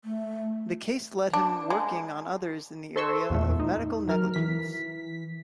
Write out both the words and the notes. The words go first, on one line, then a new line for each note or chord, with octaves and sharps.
The case lead to him working on others in the area of medical negligence.
A3
D4
G#3
A4 C5 C6 C#6 E6
E2 A#2 A3
D#4
F#3 A#4 F6
E3 B6